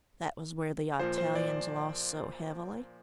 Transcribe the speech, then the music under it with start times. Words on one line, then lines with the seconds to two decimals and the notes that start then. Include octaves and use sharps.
"That was where the Italians lost so heavily."
1.00 A#2 F3 C5
1.18 C5
1.35 D5